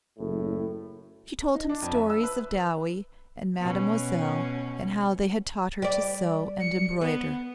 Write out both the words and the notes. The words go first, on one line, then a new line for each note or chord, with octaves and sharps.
She told him stories of Dowie and Mademoiselle and how they had taught her to sew and embroider.
F#1 A2
D#4
D4
F2
E5
E6
B4
B2 C#4
G3 D5
C#7
B3 B4